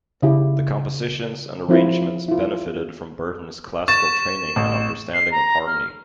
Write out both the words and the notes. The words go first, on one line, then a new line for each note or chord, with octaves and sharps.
The compositions and arrangements benefited from Burton's classical training and understanding of harmony.
C#3 E4 G4
F3 C4 E4 F4
E4 F4
C#6 A6 E7
A1
C7
A#5
F6